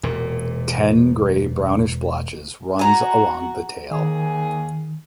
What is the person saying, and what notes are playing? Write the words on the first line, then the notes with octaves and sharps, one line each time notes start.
Ten grey brownish blotches runs along the tail.
E1 A#2
F#4 G#5 A#5
D#2 D#3 G#4